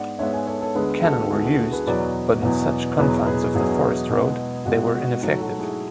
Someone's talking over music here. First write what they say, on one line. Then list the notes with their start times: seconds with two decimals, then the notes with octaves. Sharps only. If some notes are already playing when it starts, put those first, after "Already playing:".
Cannon were used, but in such confines of the forest road, they were ineffective.
Already playing: G#2 G#3 B3 B4 D5 F#5
0.19 G#2 G#3 B3 C#5 E5
0.33 E5 G#5
0.46 A4 C#5
0.61 A4 C#5
0.74 D2 D3 G#3 B3 G#4 B4
1.03 F#4 A4
1.30 D2 D3 G#3 B3 E4 G#4
1.45 F#4
1.72 G#4 B4
1.87 E2 B2 F#3 B3 B4 D5
2.42 E2 B2 F#3 B3
2.98 E2 B2 F#3 B3 G#4 B4
3.26 G#4 B4
3.54 E2 B2 F#3 B3 E4 G#4
4.10 B2 G#3 B3
4.65 B2 G#3 B3 F#4
4.94 F#4
5.22 G#2 F#3 A3 F#4
5.40 F#4 A4
5.59 E4 G#4